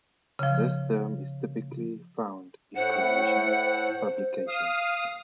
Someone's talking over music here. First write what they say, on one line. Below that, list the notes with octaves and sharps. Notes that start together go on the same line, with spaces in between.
This term is typically found in creationist publications.
C#3 F3
A2 C5 F#5
F5 D#6